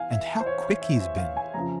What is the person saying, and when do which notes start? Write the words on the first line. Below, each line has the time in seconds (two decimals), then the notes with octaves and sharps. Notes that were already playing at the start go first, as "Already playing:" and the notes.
And how quick he's been!
Already playing: E2 F5 G#5
0.11 E5
0.40 C5
0.46 C#5
0.82 E5
1.00 E5
1.17 F5
1.37 G#5
1.54 F2 C#3 F3 A#5